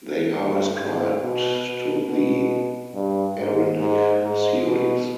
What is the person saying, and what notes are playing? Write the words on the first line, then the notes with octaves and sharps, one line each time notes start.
They are ascribed to the Arenig Series.
G2
G#2
B2
B2
B2
G2
G#2
G#2
G#2
B2